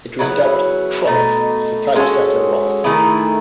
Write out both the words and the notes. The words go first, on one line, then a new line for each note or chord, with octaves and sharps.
It was dubbed "troff", for "typesetter roff".
C#3 F#3 B3 E4
B2 A3 D#4
G#3 C#4 F#4 A4
D#3 A3 E4 G#4